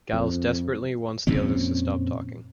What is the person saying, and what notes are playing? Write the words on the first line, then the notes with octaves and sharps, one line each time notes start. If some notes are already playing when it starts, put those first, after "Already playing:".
Giles desperately wants the others to stop talking.
F2
F2 A#2 C4 C#4